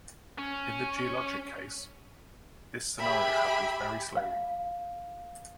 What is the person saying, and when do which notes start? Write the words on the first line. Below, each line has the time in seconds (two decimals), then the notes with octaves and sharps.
In the geologic case, this scenario happens very slowly.
0.38 C#4
2.99 G4 G#4 E5 B5
4.17 F5